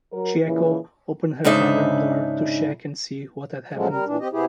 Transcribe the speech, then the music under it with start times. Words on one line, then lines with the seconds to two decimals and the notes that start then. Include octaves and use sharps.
Chieko opened her bedroom door to check and see what had happened.
0.13 F#3 A#4
0.45 A#2 C#3 E3
1.45 G#2 C#3 D4 D#4 E5
3.74 A#2 C#3 F3 F#3 G#3 A3
3.90 G3 A#4
4.06 A#2 E3 D4
4.20 C4 G4 D#5
4.32 C3 B3 E4 G4 G#4